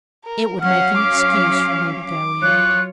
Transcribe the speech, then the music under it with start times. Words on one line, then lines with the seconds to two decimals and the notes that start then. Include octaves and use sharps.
It would make an excuse for me to go in.
0.25 A#4
0.61 F#3 C#4 F5 F#5 F6
0.98 D6
2.05 D6
2.42 F#3 F4 C#5 F#6